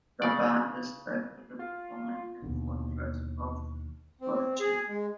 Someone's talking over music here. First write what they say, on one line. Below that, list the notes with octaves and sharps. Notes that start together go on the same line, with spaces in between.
The band is said to be performing in a Fortress of Solitude.
C#3 D5
F4
D#2 B2 D3
C4
G#4
G#3